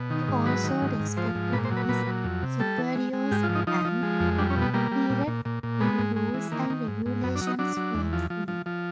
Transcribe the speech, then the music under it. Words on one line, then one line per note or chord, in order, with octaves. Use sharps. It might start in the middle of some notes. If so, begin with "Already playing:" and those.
He also respected his superiors and adhered to rules and regulations faithfully.
Already playing: B2
D#3
G#2
F#3 B4
D#3
G#2
G#2
F3 C5
G#2
A#2 B4
C5
F#3
B4
A#2 B4
F#3
F2
C3
G3 A4
E3
G#3
G#3
G#2 G4
F4
F3
D#4
F3 D#4
F3
G#3
F2
G3 D4
C#4
B2
B3
G3 A#3
G3
A#2
A#2
A#2
A#2
G#3 B3
G#2
G#3
E3
D#3 A#3
D#3
G#2
G#2
F#2 B3
D4
F#3
D#4
F#3 D4
F#3
E2
F3
F3
F3
F3